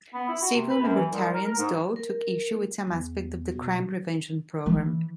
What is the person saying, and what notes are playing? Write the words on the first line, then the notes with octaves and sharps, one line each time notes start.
Civil libertarians, though, took issue with some aspects of the crime-prevention program.
B3
E4
F#4
C3
B4
F#2
E3
C2
A#4
A#4
G#2
A#4
E2
B2
E3